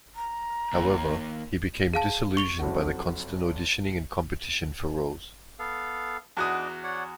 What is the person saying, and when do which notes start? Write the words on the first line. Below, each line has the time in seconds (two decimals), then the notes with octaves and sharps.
However, he became disillusioned by the constant auditioning and competition for roles.
0.16 A#5
0.73 D#2
1.94 G#4 F5 A5
2.37 C#6 F7 G7
2.59 F#1 F2 F#4
5.59 B3 A4 F5
6.37 E2 D4 D#4 F#4 D6 D#6
6.84 C#5 D5 F#5